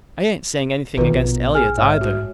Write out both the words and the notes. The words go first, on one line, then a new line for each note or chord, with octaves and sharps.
I ain't saying anything against Elliott, either.
A#1 B2 D#3 F4 B4 A#5
A#1
G#4 G#5 F6
G#2 C#5 E5 F6
F#4